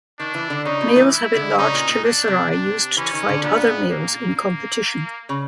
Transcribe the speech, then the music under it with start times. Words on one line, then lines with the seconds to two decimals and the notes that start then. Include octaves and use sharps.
Males have enlarged chelicerae used to fight other males in competition.
0.19 D#3 D4
0.35 E3
0.50 D3
0.65 C#3 D#4
0.81 B2
0.96 E3
1.12 E4
1.35 D3
1.58 C#3 D#4
1.74 A#2
1.89 A#2
2.05 D4
2.28 C3
2.51 D4
2.97 E3 C#4
3.13 D#3
3.29 D3
3.43 A#2 B3
3.90 A#3
4.36 A#3
5.29 C#3